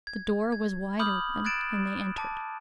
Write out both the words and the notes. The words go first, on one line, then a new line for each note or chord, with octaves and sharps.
The door was wide open, and they entered.
G#6
G#6
B5 D6 D#6 F6 G6 F#7
F#6 G#6 A6 D7 E7
A5 D6